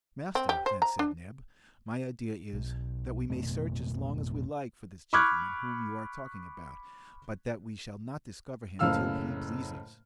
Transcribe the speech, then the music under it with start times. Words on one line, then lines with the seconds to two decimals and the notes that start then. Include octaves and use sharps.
"Master," then said Neb, "my idea is, that we may search as long as we like for this gentleman whom you are talking about, but that we shall not discover him till he pleases."
0.35 C4
0.49 G4
0.66 C5
0.82 A#5
0.99 D4
2.53 B1
3.30 A1 F2 B2 A3
5.13 B5 C#6 D6 F6 F#6 G#6
8.79 F#1 A2 C#3 F5 E6 F6